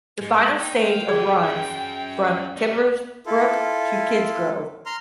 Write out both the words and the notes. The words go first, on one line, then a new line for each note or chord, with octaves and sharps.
The final stage of runs from Timbersbrook to Kidsgrove.
G#2 G#3
D#4 G5
F5
D3 B3 G#4 D5
F#2 F#3
G3 A3 D#4
E4 F4 A4
A#5 C6 F6